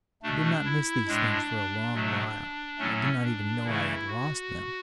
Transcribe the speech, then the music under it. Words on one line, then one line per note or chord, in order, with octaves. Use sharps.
I did not miss these things for a long while; I did not even know I had lost them.
B2 A3 D4
E4
A2 G#3 D4
B2 F#3 A3
A2 F#3 A3 C#4
D4
C#3 E3 A3 E4
F#4